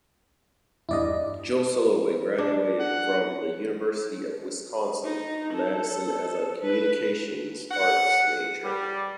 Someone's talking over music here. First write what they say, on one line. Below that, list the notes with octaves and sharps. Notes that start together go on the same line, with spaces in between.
Jill Soloway graduated from the University of Wisconsin-Madison as a communications arts major.
E2 G2 E4 D5 D#5
D4
F#5
D#4
A4
B4
F#5
G3